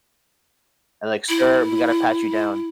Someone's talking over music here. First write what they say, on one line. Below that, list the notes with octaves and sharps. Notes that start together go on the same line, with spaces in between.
and, like, "Sir, we gotta pat you down."
E4